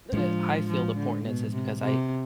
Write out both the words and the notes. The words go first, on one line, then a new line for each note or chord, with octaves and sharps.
the, uh I feel the importance is is because I
A2 F3 G#3 B3 D4
F3
D3
B2
C3
C3